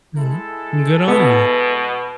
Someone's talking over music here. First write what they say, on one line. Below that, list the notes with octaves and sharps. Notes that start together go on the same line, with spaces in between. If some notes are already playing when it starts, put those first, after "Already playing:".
Mhm. Good on you.
G#3 E4 A4
B2 B3